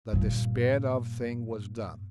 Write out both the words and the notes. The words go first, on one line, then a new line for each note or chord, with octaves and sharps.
The despaired-of thing was done.
G2 A#2